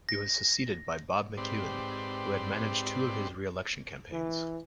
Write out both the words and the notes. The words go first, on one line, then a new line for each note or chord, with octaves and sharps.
He was succeeded by Bob McEwen, who had managed two of his re-election campaigns.
A#6
G#2 C4 G4 B4 D5 C6
E3